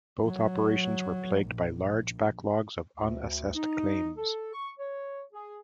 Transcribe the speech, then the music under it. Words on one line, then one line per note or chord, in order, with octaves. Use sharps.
Both operations were plagued by large backlogs of unassessed claims.
F#3
A#1
D2
D#4
A4
C#6
C#5
G#4